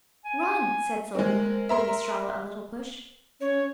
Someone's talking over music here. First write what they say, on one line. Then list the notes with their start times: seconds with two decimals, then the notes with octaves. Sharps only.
"Run," said Sylvia, giving Estralla a little push.
0.25 G#5
1.15 G#3 C4 A#4
1.69 E5 A#5 C6
3.41 C#4 C#5